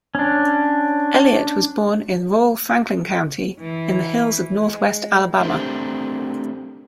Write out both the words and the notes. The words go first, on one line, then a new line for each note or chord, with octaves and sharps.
Elliott was born in rural Franklin County in the hills of northwest Alabama.
C#4 D4
E3
G#3
A3 C4 D4 G4 A#4 C5